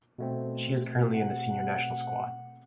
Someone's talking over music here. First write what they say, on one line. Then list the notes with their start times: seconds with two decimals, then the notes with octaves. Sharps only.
She is currently in the senior national squad.
0.18 B2 A3 C4
1.12 F#5